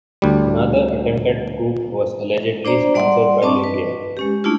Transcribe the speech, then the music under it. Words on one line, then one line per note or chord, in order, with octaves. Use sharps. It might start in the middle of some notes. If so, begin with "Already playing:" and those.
Another attempted coup was allegedly sponsored by Libya.
D2 G3
D4 C5 D5 A#5
G3 D5 F#5 C6
C4 D#5 A5 C#6 D6
B4
G#3 C#4 G4
A3 C#4 D4 E4 F4